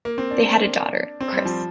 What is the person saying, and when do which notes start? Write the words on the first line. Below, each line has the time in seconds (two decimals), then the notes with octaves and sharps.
They had a daughter, Chris.
0.05 A#3
0.18 C4
0.31 D4
1.21 C4
1.33 G3
1.45 F3